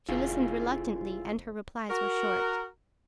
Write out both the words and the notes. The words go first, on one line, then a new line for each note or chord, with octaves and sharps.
She listened reluctantly, and her replies were short.
F1 E4 F4 G#4
F#4 A#4